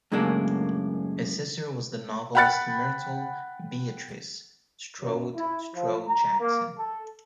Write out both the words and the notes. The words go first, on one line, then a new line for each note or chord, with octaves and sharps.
His sister was the novelist Myrtle Beatrice Strode Strode-Jackson.
F#2 A2 C#3 G#3 A#3 D4
F#5 G5 B5 F#6 A6 C#7
F#2
E4
F3
A#5
A#3
A4